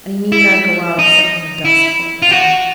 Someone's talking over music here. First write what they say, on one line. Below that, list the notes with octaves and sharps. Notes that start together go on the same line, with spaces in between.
'And he need not go out, except in the dusk, poor fellow!'
E4
D#4
E4
F4
F#4